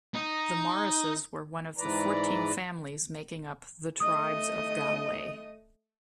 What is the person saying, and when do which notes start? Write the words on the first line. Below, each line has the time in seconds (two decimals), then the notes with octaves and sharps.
The Morrises were one of the fourteen families making up 'the Tribes of Galway'.
0.15 D#4
1.78 G#2 E3 B4 D5 A#5
4.00 A3 D#5 D#6